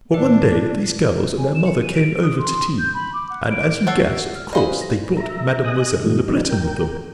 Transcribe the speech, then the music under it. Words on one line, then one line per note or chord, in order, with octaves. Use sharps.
Well, one day these girls and their mother came over to tea, and, as you guess, of course, they brought Mademoiselle Le Breton with them.
A2 D#3 D4 B4
G#5
E7
C#7
D#7
D7
D#6
C6
G6
B5
D6
F#5
D7
A4 C#5 F#5 E6 A6 C7
F6
B4 C5 D5 D#5 F5 G#5
A#6
E5 A#5
D#5 G#5 D#6 F#6 A#6
G#2 D#3 F3 G3 A3
D#3 F3 G3 B3 D4 D#4
A#4 G5